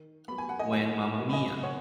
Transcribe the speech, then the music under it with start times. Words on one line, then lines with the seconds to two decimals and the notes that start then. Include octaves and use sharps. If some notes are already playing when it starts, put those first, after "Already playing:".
When Mamma Mia!
Already playing: D#3
0.28 F#3 B3 B5
0.38 G#5
0.49 F#5
0.59 D#5 G#5
0.72 D#3 D#5 G#5
1.18 F#3 B3
1.29 B5
1.33 D#5 G#5
1.63 B2 C#5 F#5